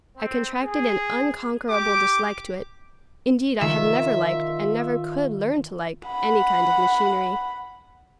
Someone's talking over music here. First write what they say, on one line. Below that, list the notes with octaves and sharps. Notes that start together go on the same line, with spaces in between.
I contracted an unconquerable dislike to it; indeed, I had never liked, and never could learn to like, any kind of machinery.
C4
G#4
G4 D6
D#3 F4 E5
F#5 B5